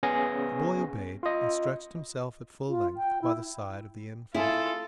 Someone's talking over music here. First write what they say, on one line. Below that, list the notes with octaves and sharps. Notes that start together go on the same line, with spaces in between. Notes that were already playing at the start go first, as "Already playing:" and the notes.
The boy obeyed, and stretched himself at full length by the side of the infant.
B3 C#4 G#4 G#5 A#6
F4 D#5
F4
G5
E4
E4 F4 G#4 A4